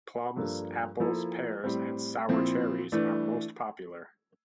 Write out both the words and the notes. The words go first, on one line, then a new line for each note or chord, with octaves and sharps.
Plums, apples, pears, and sour-cherries are most popular.
G2 F3 A#3 D4 A4
F3 A#3 E4 A4
A2 G3 C4
A#2 F3 C4 E4
E3 A3 D4